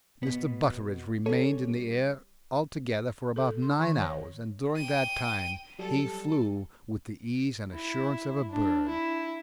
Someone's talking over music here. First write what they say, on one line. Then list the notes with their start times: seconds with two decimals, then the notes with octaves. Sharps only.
Mr. Butteridge remained in the air altogether for about nine hours, and during that time he flew with the ease and assurance of a bird.
0.23 B2 B3
1.26 G3 C#4 A4 C#5
3.36 A4
3.62 C6
3.80 D#3
4.01 C#5
4.76 G5 D#7
5.79 F#3 G3 A4
7.74 E4
8.51 D4
8.88 E4